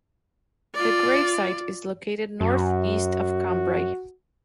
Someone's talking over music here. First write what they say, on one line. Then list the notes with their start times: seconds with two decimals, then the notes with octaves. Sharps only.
The gravesite is located north east of Cambrai.
0.74 F4 D5
2.41 F#2 F#4